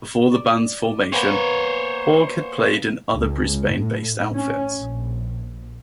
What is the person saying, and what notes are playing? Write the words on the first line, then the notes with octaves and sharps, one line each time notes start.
Before the band's formation, Haug had played in other Brisbane-based outfits.
D5
A#3 B3 C5 C#5 G#5
C#2
A2
C#4
A#1